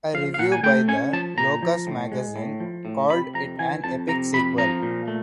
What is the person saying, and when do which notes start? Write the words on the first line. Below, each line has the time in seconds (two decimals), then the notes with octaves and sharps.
A review by the "Locus Magazine" called it an epic sequel.
0.14 F3 F5
0.34 F5
0.38 A#2 F#5
0.52 G#5
0.63 A3 G5
0.88 C#4 G#5
1.13 F3 A5
1.38 A#2 A#5
1.63 F3
1.87 A2
2.12 G#3
2.36 A2
2.60 F3
2.85 A2
3.10 C3 B5
3.35 F2 A#5
3.59 E3 G#5
3.84 F2 A5
4.09 C3 A#5
4.34 F2 B5
4.58 F3 A#5
4.83 A#2
5.08 A3